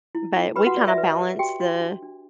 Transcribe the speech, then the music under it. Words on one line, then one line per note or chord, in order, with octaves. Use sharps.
but we kinda balance the
E4
E4
G4 B4 B5
F#4 F#5
G4 D5
E5
B4
G4
F#4 G4 G5
F#4
D4
D4